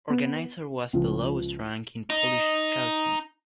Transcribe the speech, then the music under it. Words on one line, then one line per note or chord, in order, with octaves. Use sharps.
Organizer was the lowest rank in Polish scouting.
B3
C#2 F3
D#4